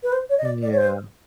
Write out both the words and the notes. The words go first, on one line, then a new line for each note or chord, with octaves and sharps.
Mm, yeah.
B4
C5
C#5
D#5
D5
D5
C#5
C5